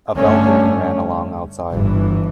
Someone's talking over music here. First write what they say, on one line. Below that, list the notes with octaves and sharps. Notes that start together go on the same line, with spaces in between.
A balcony ran along outside.
G2 D3 A3 C#4
G1 G2 E3